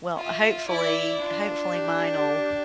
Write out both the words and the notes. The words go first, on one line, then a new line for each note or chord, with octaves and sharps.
Well, hopefully, hopefully mine'll
F4 E5
E4 D5
D4 F4
G4